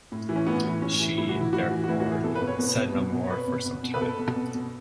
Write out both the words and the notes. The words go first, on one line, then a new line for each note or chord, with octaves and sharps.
She, therefore, said no more for some time.
A2
E3
C#4
A2 B3
E3
A2 C#4
E3
A2 E4
F#4
E3
E4
A2 F#4
E3
F#4
A2 E4
F#4
E3
G#4
B2 A4
B4
B2
C#5
B2 B4
B2
B2
B2
C#5
B2 B4
B2
B2
B2
B4
B2 A4
B2
B2
B2